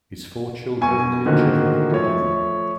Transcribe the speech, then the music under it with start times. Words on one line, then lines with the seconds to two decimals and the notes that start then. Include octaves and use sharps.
His four children live in Germany and Denmark.
0.81 B2 G#5 C#6
1.25 A#2 D3 D#3 A#3 C4 F#4
1.91 F3 A3 C#5